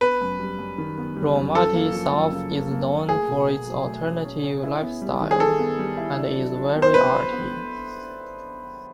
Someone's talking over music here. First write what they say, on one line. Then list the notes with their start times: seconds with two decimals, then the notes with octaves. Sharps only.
Raumati South is known for its alternative lifestyle, and is very arty.
0.01 B3 B4
0.21 F#2
0.39 G3
0.59 F#2
0.78 D#3
0.98 B3
1.16 G3
1.36 F#2
1.55 F3 A4
1.74 A#3
1.94 F3
2.13 F#2
2.32 C#3
2.51 A#3
2.71 A#3
2.89 A#3
3.09 A3 G#4
3.28 B2
3.48 B2
3.67 F#3
3.86 A3
4.05 C#4
4.25 C#4
4.43 C#4
4.63 E4
4.82 B3
5.02 G3
5.21 D#3
5.31 G#4
5.40 D#3 A4
5.59 B3
5.79 G3
5.97 E4
6.17 D4
6.36 F#3
6.56 D4
6.75 B3
6.82 C5
6.94 B3 B4
7.13 B3
7.32 B3